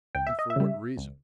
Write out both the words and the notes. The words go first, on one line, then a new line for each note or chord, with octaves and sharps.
"And for what reason?"
C#2 G5
E5
D#5
E5
C#3 G3
C#2